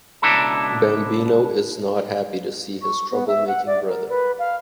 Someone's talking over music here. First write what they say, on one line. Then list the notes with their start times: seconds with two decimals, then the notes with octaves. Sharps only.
Bambino is not happy to see his trouble-making brother.
0.22 C#2 B2 D4 E4 A4 A#5
2.82 C#6
3.11 B3
3.27 E5
3.47 F#5
3.66 D5
3.88 A#4
4.09 B4
4.39 F5